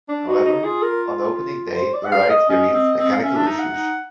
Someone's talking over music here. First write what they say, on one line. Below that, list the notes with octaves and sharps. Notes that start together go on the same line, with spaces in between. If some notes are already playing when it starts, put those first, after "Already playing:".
However, on opening day, the ride experienced mechanical issues.
D4
D#4 F#4
D#4
F4 G#4
A#4
C5
D5
F#5
F5
D#5
C#4 D#5
C4
C4
F5
C#4 E5
D4
D#4
F#5
D#4